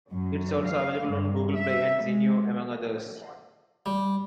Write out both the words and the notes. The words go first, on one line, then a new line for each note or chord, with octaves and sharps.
It is also available on Google Play and Zinio, among others.
F#2
F5
G2
E5
G#3
G3